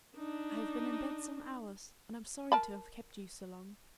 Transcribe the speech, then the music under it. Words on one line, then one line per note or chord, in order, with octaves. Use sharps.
"I have been in bed some hours, and I'm sorry to have kept you so long."
D4 D#4
A#4 A5 B5